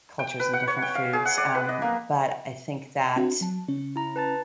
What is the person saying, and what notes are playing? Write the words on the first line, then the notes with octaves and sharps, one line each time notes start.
cultures and different foods, um, but I think that
G5
B4
F#5
C#5
G5
F5
G#4
F#5
D5
B4
D#5
A#3
C4 D4 F#4
F#3 A5
C#3 C#4
E4 A#5
B4 A5 A6